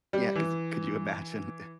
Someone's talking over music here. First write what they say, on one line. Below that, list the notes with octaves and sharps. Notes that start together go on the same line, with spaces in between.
Yeah, 'cause could you imagine
G3
E3